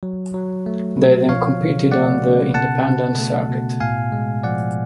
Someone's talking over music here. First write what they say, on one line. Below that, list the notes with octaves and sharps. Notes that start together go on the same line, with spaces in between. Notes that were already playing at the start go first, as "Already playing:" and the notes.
They then competed on the Independent Circuit.
F#3
F#3
A3
B2
F3 C#5 F5
C#3
A3 D5 F#5
C#3
B2 F#5 A5
B2
A3
B2
A2 F5 G#5
G#3
F3 D5 F#5